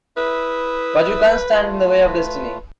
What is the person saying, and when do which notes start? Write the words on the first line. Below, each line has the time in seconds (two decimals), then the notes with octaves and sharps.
But you can't stand in the way of destiny.
0.17 E4 B4 E5 D#6
1.52 A3 F4
2.06 B4